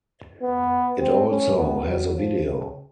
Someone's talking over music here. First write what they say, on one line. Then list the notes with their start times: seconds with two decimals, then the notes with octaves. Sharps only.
It also has a video.
0.42 B3
1.00 C4
1.29 C#4
1.57 B3
1.86 F#3
2.16 F3
2.44 C#3